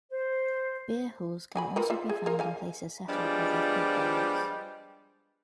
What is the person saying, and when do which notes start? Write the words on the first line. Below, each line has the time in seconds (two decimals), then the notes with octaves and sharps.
Beer halls can also be found in places settled by ethnic Germans.
0.12 C5
1.56 F#3 G#5 B5
1.76 F4 A#4 B4
1.90 F4 E5
2.09 G#4
2.26 F4 G#4 A#4
2.39 D3 F5 G#5
3.08 F3 G3 G#3 B3 D4 F4